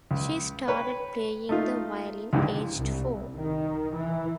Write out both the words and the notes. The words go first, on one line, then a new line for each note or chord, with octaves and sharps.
She started playing the violin aged four.
C#2
B4 C#5 G5
A3 D#4 F4
C#2 G#2 D3 E3 G4
C2
D#3
E3